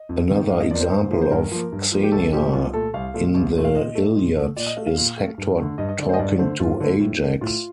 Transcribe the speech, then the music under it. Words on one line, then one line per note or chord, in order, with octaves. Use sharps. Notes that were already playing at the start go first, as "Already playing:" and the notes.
Another example of xenia in the Iliad is Hector talking to Ajax.
Already playing: D#5
F2
C3 D#3
G2 F5
D#5
F3 A#3 A#4 D5
C5
G2
F3 A#3
C5
G2 A#4
F3 A#3
G2
F3 A#3
G4
C2 A4
A#2 A3 G4
C2 F4
A#2 A3 A4
C2 F5
A#2 A3
C2
A#2 A3
F5
A#2 D#5
A3
A#2
A3
A#2 D5
D#5
A3 F5
F5
A#2
A3
G2
D3 A3
G2 D#5
D#5
D3 A3 D5
C5
D#5
G2 D5
D3 A3 C5
G2 F4
D3 A3
A2
A3
A2 F4